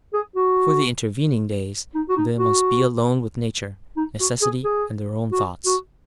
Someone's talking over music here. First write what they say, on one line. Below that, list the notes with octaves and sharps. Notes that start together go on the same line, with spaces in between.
For the intervening days they must be alone with Nature, necessity, and their own thoughts.
G#4
F#4
D#4
F#4
D#4
F#4
D#4
F#4
G#4
G#4
F#4
F#4